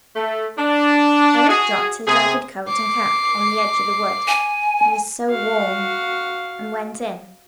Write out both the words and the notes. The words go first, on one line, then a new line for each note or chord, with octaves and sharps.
Eric dropped his ragged coat and cap on the edge of the wood,--it was so warm,--and went in.
A3
D4
F#4 G#4
C3 G#4
D6 C7
G#5
F#4 F5